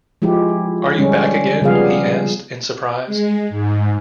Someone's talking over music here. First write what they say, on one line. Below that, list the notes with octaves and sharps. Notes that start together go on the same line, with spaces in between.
Are you back again? he asked, in surprise.
F3 G#3 E4 G4
D3 G3 G#3 C#4
C#3 F3 G3 B3 G#4 F5
G#3
G#2